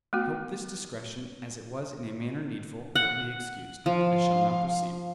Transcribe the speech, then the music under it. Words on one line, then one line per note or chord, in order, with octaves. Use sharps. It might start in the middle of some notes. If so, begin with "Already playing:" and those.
I hope this digression, as it was in a manner needful, will be excused. I shall now proceed.
A3 B3 F#4
F#5
F3 F5